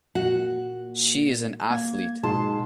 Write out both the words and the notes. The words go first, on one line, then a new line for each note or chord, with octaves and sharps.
She is an Athlete.
A#2 F#4 F#5
A#3 G#6
G#2 B2 A5 C6